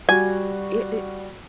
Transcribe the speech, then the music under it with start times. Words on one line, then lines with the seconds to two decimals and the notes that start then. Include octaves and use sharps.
It it
0.09 G3 F#4 G#5